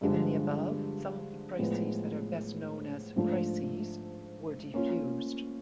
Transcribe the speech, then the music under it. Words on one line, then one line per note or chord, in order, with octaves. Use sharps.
Given the above, some of the crises that are best-known "as crises" were defused.
G2 D3 F3 G#3
A2 F3 G#3 B3
G#2 F3 A3 D4 F4
A#3 C#4 F4